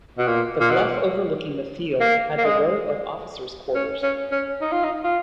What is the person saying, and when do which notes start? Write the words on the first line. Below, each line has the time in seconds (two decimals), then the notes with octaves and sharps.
The bluff overlooking the field had the row of officer's quarters.
0.18 B2
0.27 A#2
0.60 A#2
0.70 B2
2.00 A#3
2.37 A#3
2.45 G#3
3.75 C#4
4.03 C#4
4.32 C#4
4.61 D#4
4.72 F4
4.84 D#4
5.04 F4